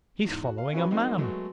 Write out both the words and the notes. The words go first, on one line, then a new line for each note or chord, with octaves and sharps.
"He's following a man!"
E2 G#2
F#4
F5
C#4 E4 F#4 G#4 B4 C#5
F#3 G#3 A#3 C4 D#4 F#4
F#3 G#3 A3 B3 F#4